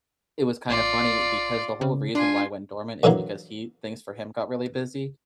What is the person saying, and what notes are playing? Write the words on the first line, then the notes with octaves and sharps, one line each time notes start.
it was kinda funny because the whole reason why I went dormant is because he things for him got really busy.
A1 F4 D5
C#3
D4 F4 G#5
F#2 D3 E3 F#3 A#3